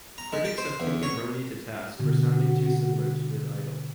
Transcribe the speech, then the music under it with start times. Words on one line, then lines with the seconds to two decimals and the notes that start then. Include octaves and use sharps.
Critics have taken Roney to task for sounding too similar to his idol.
0.18 A#5
0.33 G#3
0.45 G5
0.58 C5
0.80 E2
1.03 C#5
2.00 B2 D3 F#4